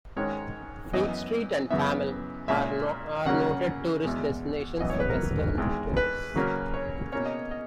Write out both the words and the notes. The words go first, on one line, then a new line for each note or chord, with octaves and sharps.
Freak Street and Thamel are noted tourist destinations for Western tourists.
G#2 D#3 G#3 C#4 C#5
F#2 E3 B3 D#5
F#2 C#3 E3 B3 E5
A#2 G#3 C#4 E5
C#3 F#3 A#3 C#4 F#5
E2 B2 G#3
F#2 E3 B3 D#5
C#5
B4
A#4
E2 D#3 G#3
B4
C#3 F#3 A#3 C#4
C#5
B2 A#3 C#4 C#5
D#5
D#5